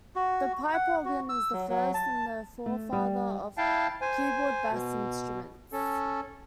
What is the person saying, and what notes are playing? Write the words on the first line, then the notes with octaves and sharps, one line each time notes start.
The pipe organ is the first, and the forefather of keyboard bass instruments.
F#4
F#5
F#4
E6
F#3
F#3
A5
A3
G3
E4 F5 G5 A5
C5 G#5
B2
C#4 A4